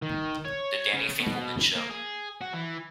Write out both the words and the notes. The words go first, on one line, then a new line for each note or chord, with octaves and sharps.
The Danny Finkleman Show.
D#3
C#5
C#3
B2
A#3
G#4
F#4
E3